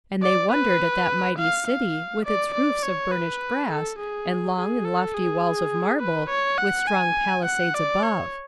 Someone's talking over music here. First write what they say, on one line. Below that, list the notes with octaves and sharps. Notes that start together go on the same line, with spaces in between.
And they wondered at that mighty city, with its roofs of burnished brass, and long and lofty walls of marble, with strong palisades above.
D5
B4
F5
F5
D5
D5
C#5
B4
A4
G#4
G#4
A4
G#4
B4
C#5
F#5
G#5
F#5
D5
C#5